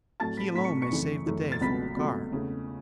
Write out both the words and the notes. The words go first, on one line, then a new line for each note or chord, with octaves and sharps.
He alone may save the day for Okar.
A2 F#3 A3 A5 A6
B5 B6
A2 F#3 A3 B5 B6
C#6 C#7
C#6 C#7
F#2 C#3 E3 A3
F#2 C#3 E3 A3
A6
C#2 B2 F#3 A3 B5 B6
C#2 B2 F#3 A3
E2 C#3 A3